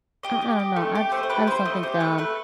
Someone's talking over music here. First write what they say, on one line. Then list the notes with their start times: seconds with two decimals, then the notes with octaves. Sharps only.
I I don't know, I just I just don't think that, um,
0.23 G4 D#5
0.42 G4
0.60 G4
0.76 A3
0.95 G4
1.12 A3 C5
1.23 C5
1.30 G4 B4
1.47 E4 C5
1.65 A3 D#5
1.83 G4 C5
2.00 A3 B4
2.18 A3 B4